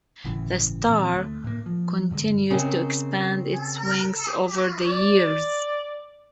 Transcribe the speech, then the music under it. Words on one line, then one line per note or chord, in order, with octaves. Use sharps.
"The Star" continues to expand its wings over the years.
G1 A2 C#3 E3
A#2 E3 C4
D2 A3
A2 A#3
F3
G2 D3 F#3 G#3
C#3 C4 A#4 D#5
D5